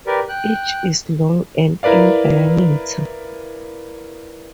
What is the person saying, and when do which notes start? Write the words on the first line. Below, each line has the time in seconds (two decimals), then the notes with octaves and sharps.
Each is long and in diameter.
0.07 G4 A#4 B4 D5
0.29 G5 F#6
1.83 E4 A#4 B4 D5 F5